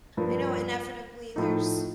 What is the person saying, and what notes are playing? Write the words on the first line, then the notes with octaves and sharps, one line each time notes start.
I know inevitably there's,
G2 F3 A#3
A2 F3 A3 D#4